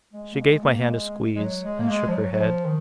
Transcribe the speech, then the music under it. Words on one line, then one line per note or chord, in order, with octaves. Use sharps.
She gave my hand a squeeze, and shook her head.
G#3
A#3
G#3
A#3
G#3
G#3
F#3
G#3
A#3
G#3
F3
F#3
F#3
F3
D#3